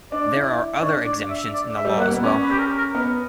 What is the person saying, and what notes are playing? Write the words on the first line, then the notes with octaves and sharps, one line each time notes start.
There are other exemptions in the law as well.
D4 D5
E4
D4 C#5
D5
E5
D5
E5
G3
A#3 F#5
B3
C#4 D5
B4
G4
A#4
A#4
B3 A#4